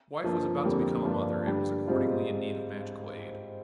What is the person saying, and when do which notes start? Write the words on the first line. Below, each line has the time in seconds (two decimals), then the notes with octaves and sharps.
His wife was about to become a mother, and was accordingly in need of magical aid.
0.23 G2 F3 A#3
0.64 F2 D3 G3 A#3
1.05 G2 F3 A#3 D4 F4
1.46 G2 D3 G3
1.88 G#2 G3 C4 F4